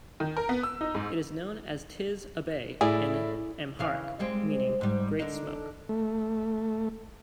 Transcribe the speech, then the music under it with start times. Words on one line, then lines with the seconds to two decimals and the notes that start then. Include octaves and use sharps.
It is known as Tis Abay in Amharic, meaning "great smoke".
0.20 D#3
0.37 A#4
0.49 B3
0.63 E6
0.81 D#4
0.95 G#2
2.81 A2 E4 G#4 D5
3.79 C#3 E3 F5
4.19 G3 G#3 C4
4.81 G#2 G3
5.19 D3 D4 D#4
5.89 A3